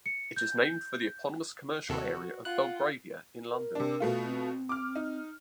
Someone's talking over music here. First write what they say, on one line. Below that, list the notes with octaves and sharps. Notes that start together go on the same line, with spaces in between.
It is named for the eponymous commercial area of Belgravia in London.
C#7
G6
D#2 C3 F#4 A4
F4 F#5 F#6
A#4
C3 D4
B2 A3 F4
C4
D6 F6
D#4